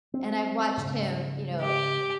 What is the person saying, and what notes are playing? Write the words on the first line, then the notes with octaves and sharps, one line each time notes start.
and I've watched him, you know,
C4
G#2 C#3
G4